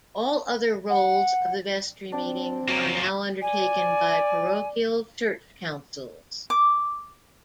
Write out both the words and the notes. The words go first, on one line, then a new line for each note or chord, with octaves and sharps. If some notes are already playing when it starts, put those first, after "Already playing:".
All other roles of the vestry meetings are now undertaken by parochial church councils.
F#5
C4 D4 G5
F#2 F#3 A#3 E6
D5 G#5
D6